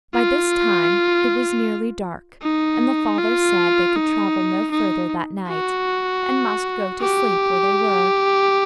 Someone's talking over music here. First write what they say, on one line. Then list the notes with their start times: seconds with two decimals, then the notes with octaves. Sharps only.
By this time it was nearly dark, and the father said they could travel no further that night, and must go to sleep where they were.
0.14 F4
2.42 D#4
3.18 F4
3.96 D#4
4.71 D#4
5.48 F#4
7.01 G4